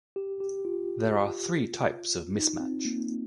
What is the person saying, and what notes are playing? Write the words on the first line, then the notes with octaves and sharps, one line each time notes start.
There are three types of mismatch.
G4
G4
F4
D#4
C4
A#3